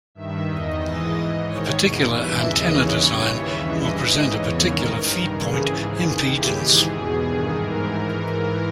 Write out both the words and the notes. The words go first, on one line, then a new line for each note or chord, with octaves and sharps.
A particular antenna design will present a particular feedpoint impedance.
G2 D#3 E5
E2 D#3 D#5
G#2 E3
G#2 E3
G#2 D#3 C#5
E2 B2
G2 E3 E5
D#2 C#3 E3 D#5
D#2 C#3 E3 C#5
G2 E3 C#5
D#2 C#3 E3 E5
G2 E3 D#5
G#2 E3 D#5
E2 C#3 E3 C#5
G#2 D#3 A#4
G2 D#3
D#2 C#3 E3 G#4
G#2 E3
D#2 D#3
D#2 C#3 E3 G4
G#2 E3 G#4
E2 B2 G#4
G2 D#3
G#2 E3 A#4